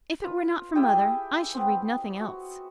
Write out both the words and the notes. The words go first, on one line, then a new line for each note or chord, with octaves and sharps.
If it were not for mother I should read nothing else.
F4 B4
E4 G4 G#4 G5
B3 C4
F#4